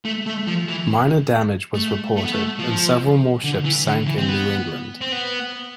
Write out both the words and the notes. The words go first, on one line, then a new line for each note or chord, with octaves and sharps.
Minor damage was reported and several more ships sank in New England.
A3
A3
F3
E3
A3
A3
B3
A3
F3
D3
E3
D3
E3
C4
B3
C4
B3